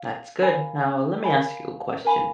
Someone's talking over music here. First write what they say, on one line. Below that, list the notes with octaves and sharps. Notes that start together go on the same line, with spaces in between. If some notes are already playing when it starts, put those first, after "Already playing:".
That's good, now let me ask you a question.
Already playing: F5
A#4 F5 G#5 B5
A#4 F5 G#5 B5
A#4 F5 G#5 B5